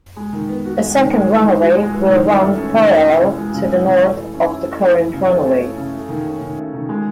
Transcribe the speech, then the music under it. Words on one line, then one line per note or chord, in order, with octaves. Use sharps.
A second runway will run parallel to the north of the current runway.
G#3
D#3
B3
F#4
G#3
D#3
G#3
E3
D#4
F#4
G#3
E3
D#3
F#2
A3
C#4
D#3
F#2
E3
C#3
G#3
C#3
E3
C#3
A3
E3
C#4
E4
A3
E3
E3
C#3
A3
C#4
E3
C#3
A3
D#3
C#4
D#3
A3
D#3
G#3